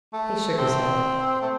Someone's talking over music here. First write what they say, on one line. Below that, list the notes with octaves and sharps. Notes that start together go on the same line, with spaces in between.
He shook his head.
A3
C4
A3